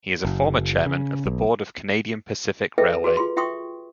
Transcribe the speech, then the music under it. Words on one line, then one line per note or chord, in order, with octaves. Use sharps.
He is a former Chairman of the Board of Canadian Pacific Railway.
F#1
C#3
B1
G#4 A4 B4 D#5 E5 G5
F#4 G#4 B4
F4 G#4 C6
F4 E5 G5 C6 C#6 D#6